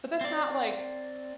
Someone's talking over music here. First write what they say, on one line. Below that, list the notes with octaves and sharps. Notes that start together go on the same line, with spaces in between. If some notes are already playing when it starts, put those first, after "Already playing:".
But, that's not like
C4 D5